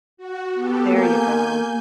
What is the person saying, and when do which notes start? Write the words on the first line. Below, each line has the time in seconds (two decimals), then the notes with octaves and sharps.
There you go.
0.17 F#4
0.54 B3 G4 A4
0.91 A#3 G#5 G6